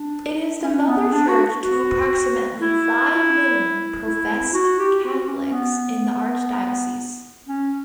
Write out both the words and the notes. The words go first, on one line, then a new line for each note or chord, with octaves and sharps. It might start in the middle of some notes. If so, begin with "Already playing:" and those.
It is the mother church to approximately five million professed Catholics in the archdiocese.
Already playing: D4
C#4
B3
D4
F#4
F#4
E4
E4
F#4
G4
F#4
C#4
B3
C#4